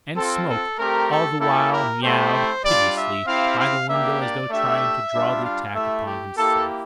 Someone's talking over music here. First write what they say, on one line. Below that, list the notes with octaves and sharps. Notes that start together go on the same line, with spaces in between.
And Smoke all the while meowed piteously by the window as though trying to draw the attack upon himself.
C4 F4 A4
A4
A3 C4 G4 A#4
A4
A#3 E4 G4 A4
A#4
A3 C4 E4 G4 C5
C5
G3 D4 F4 D5
E5
C4 E4 G4 F5
F5
A#3 D4 G4 E5
D5
A3 D4 G4 E5
G3 D4 F4
F5
A3 E4 G4 E5
G4
A#3 E4 G4 A4